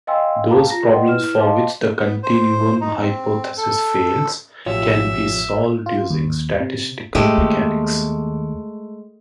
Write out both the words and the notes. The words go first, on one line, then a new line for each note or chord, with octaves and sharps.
Those problems for which the continuum hypothesis fails, can be solved using statistical mechanics.
D#5 F5 G5 G#5 C6 E6
F5 G5 A5 A#5 D6
F4 A#5 A#6
B4 D5 D#5 F#5 G5 C6
E4 B4 F6 E7
C5 D#5 F5 A5 C6 D6
B3
C5
D#4
C4
A4
A1 F2 B2 F4 G4 C#5 E5
F4
D#2
C3
A2 G#3 A3 G4
D#2